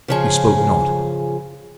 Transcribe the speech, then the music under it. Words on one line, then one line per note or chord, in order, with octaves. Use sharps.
We spoke not.
C#3 F3 G#4